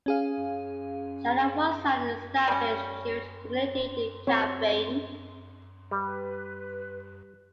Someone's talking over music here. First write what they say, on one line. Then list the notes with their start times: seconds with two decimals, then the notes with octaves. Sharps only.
China once had an established Jewish community in Kaifeng.
0.06 C#4 G#4 F5
2.48 G3 C#4
4.27 C4 C#5
5.91 G3 B4